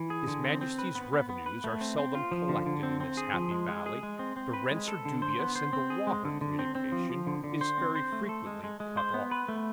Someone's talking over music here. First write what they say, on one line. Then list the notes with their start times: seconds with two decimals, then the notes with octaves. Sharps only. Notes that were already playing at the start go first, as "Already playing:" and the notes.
His Majesty's revenues are seldom collected in this happy valley; the rents are dubious; and the water communication is very frequently cut off.
Already playing: E3
0.10 G#4
0.28 D3
0.44 C4
0.61 C4
0.78 B4
0.95 B3
1.13 B3
1.29 B3
1.46 B4
1.64 A3
1.81 C4
1.98 C4
2.15 F4
2.32 F3
2.49 D3
2.66 D3
2.83 C4
3.00 C4
3.17 G#4
3.34 F3
3.51 G#3
3.68 G#3
3.86 G#4
4.03 G#3
4.19 C4
4.36 C4
4.53 B4
4.71 G#3
4.88 A4
5.05 D3
5.22 C5
5.39 B3
5.56 C5
5.73 C4
5.90 G#4
6.07 G#3
6.25 D3
6.41 D3
6.59 C4
6.75 C4
6.92 F3
7.10 F3
7.27 D3
7.44 D3
7.61 C5
7.78 C4
7.96 C5
8.12 A3
8.29 A4
8.47 G#3
8.64 G#3
8.80 G#3
8.97 C5
9.14 B3
9.31 B4
9.48 A3